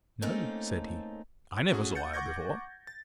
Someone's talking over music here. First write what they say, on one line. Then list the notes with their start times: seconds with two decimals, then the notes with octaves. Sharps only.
No, said he, I never saw her before.
0.22 A3 A#3 C4 C#4 D#4 A4
1.72 A3 C#4 F#4 G#4
1.95 F#5 G6 A6 C#7
2.14 F#5 C#6 D6 G6 G#6 A#6
2.87 A6